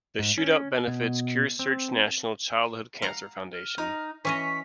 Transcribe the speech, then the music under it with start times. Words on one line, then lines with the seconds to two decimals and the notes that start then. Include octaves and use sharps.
The shootout benefits CureSearch National Childhood Cancer Foundation.
0.19 G#2
0.38 C#4
0.87 B2
1.59 C4
3.02 F5 F#5 A#5
3.53 F6
3.78 D#4
4.25 E3 C#4 C#5 D#5 B6